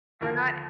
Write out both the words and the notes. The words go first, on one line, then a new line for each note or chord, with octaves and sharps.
Or not
D#2 D3 F3 A#3 A#4